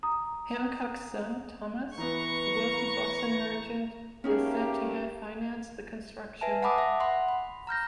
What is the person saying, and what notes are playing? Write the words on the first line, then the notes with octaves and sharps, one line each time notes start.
Hancock's son, Thomas, a wealthy Boston merchant, is said to have financed the construction.
A#5 D#6
E3 B3 B4 A#5 C#6
A3 A#3 C#4 D#4 G4 G#4
B4 E5 G#5 A5
F#5 A5 B5 D6 D#6
E5
F#5 B5 C6
B5
A#5 F6 G6 A#6